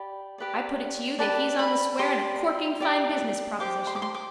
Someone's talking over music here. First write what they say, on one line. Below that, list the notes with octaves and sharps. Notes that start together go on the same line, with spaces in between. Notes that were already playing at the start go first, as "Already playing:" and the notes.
I put it to you that He's on the square and a corking fine business proposition.
Already playing: G4 D5 B5
G4 B4 D5
G4 B4 D5 A5
B5
G4 D5 C6
G4 D5
G4 C5 D6
C6
D6
C6
D6